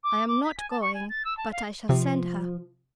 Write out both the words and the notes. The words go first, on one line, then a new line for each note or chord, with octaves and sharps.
"I am not going, but I shall send her."
D6
D6
B6
G#5
A5
C#6
G#5
A6
E6
A5
F5
C3 F3